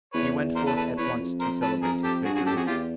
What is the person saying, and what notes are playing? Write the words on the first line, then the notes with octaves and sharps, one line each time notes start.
He went forth at once to celebrate his victory.
E2 B4 C#5
A#4 C5
A4 B4
A4 B4
E2 B4 C#5
F2
A#4 C5
A4 B4
G#4 A#4
G4 A4
G2 F#4 G#4
F#4 G#4
F#2
G4 A4
F2 F#4 G#4
E2 F4 G4